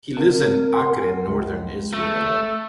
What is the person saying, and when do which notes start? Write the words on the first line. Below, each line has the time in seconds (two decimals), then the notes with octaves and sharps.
He lives in Acre in northern Israel.
0.17 C4 A#4
0.74 F#5 C6
1.27 C#2
1.94 A3